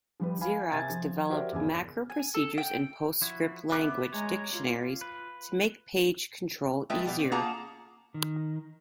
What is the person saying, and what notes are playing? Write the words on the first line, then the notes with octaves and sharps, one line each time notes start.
Xerox developed macro procedures in PostScript language dictionaries to make page control easier.
F3 G3 B4
F5 G#5 B5
C3 A#4 G#5 G#6 A6
F3
F#4 G4 A#4 C5 D5 E5
G1 E2 C#3 G#5
G#5
A4
G5
F3 E4 F#4
B3 E5 D6 F#6
G#3 C#5 A#5
F4
B4
G#3 A3 F4 B4 E5 G5
B2 G3 B3
C4
A#3 F4 G#4 F#5 A5 A#5
D#3